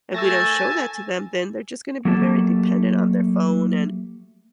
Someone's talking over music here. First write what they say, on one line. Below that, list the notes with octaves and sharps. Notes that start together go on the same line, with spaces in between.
if we don't show that to them, then they're just gonna be very dependent on their phone, and
A3 G#5 A5 E6 A6 A#6
F#3 A3 A#3 G4 F5 A5